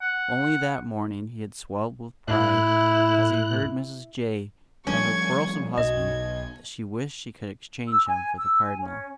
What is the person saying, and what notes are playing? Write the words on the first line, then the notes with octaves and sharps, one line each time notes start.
Only that morning he had swelled with pride as he heard Mrs. Jay tell her quarrelsome husband that she wished she could exchange him for the Cardinal.
F#5
A2 E4 F#6
F3 G3 A3 C#4 C#6 G#6
B1 B2 D#5 G#6
E6
G#5
E6
G#5
C#4